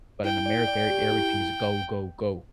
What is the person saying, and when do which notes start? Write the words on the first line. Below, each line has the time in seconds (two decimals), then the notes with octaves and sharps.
But in America, er everything is a go, go, go.
0.25 E4 G5
0.46 D5
0.68 D5
0.90 G4
1.11 E4